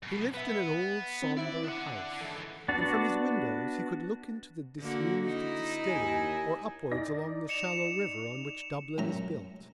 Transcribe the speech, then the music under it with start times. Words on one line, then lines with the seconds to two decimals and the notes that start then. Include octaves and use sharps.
He lived in an old sombre house and from his windows he could look into the disused distillery or upwards along the shallow river on which Dublin is built.
0.03 F#2 B2
0.34 B3 B4 E5
1.22 C4
1.37 E4 D5 E5
1.64 D4 F#5
2.21 C#2 E3 A4
2.68 B3 D4 F#4 D5
4.79 D3 A#3 F#4
5.26 D#4 E4
5.89 D#2 G#5
6.91 D#4 D5 A#6
7.49 C#7 E7 F7
8.98 F#2 A2 A#5